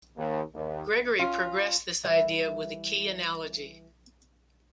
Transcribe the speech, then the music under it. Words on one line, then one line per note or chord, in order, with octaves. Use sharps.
Gregory progressed this idea with a key analogy.
D#2
D#2
C#4 F4
E3 G3 C#5